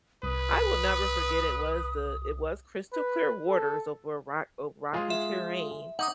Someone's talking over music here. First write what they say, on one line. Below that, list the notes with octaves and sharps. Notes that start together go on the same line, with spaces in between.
I will never forget it was the it was crystal clear waters over rock, ov rocky terrain,
C2 B4 D#6
B4
A4
G#3 F4 G#4
E5
D#4 F#5 D6 D#6